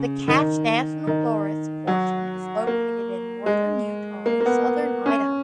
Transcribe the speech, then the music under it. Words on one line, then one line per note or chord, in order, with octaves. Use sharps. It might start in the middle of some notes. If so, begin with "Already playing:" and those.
The Cache National Forest portion is located in northern Utah and southern Idaho.
Already playing: C#3
D#3
D#3
F#3
A#3
G#3
A#3
A#3
B3
C#4